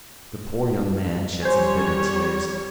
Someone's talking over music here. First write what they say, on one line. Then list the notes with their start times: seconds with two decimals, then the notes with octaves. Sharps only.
The poor young man shed some bitter tears.
1.42 G3 C5 C#5 G#5